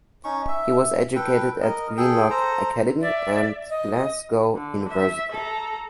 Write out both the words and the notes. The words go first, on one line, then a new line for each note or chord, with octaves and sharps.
He was educated at Greenock Academy and Glasgow University.
C#4 D#4 C#6
E5
A4 B4 G5
A#4 D#5
G#4 A4 G5
A4 C5 A#5
D5 E5
D#5
D3
E5
A4 A#5